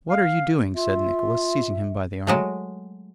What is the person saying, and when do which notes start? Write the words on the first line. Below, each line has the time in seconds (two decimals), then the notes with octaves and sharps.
'What are you doing?' said Nicholas, seizing him by the arm.
0.10 F5
0.75 F4 E5
2.27 F#3 G#3 A3